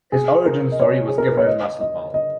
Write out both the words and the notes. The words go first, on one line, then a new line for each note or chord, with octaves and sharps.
His origin story was given in "Musclebound".
G#4
A#4
D#5
C#5
G#4
A#4
B4
C#5
D#5
D#5
D#5